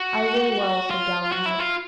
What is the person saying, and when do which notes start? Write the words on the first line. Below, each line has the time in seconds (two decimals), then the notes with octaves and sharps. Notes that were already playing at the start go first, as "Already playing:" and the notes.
I will well, said Galahad.
Already playing: F#4
0.90 F4
1.32 F#4
1.46 E4
1.59 F4